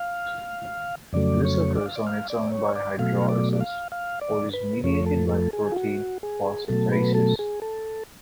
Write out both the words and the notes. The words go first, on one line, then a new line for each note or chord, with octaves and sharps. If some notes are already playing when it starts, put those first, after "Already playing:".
This occurs on its own by hydrolysis, or is mediated by protein phosphatases.
Already playing: F5
F2 C#3 F#3 A3 D5
C#5
D5
F5
D5
F5
D5
C#5
D5
B2 F#3 A3 F5
D5
D5
F5
F5
D5
B4
F2 F3 A3 C#5
A4
A4
G#4
F4
F#4
G#4
B2 F#3 A3 A4
B4
A4
G#4
A4